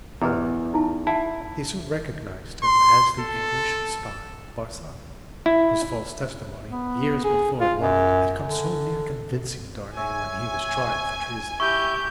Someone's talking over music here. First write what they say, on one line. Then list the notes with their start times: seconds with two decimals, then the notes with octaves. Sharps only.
Following, he soon recognized him as the English spy, Barsad, whose false testimony, years before in London, had come so near convicting Darnay when he was tried for treason.
0.22 E2 E4 G4 B4
0.74 D#4 E4 A5
1.07 E4 F#5 A5
2.63 C6
3.19 A4
5.46 E4
6.72 B3
7.24 G#4
7.60 F4
7.79 F#2
8.45 D3
9.96 C#5 E5 G#5
11.60 E4 G4 E5 C#6 G6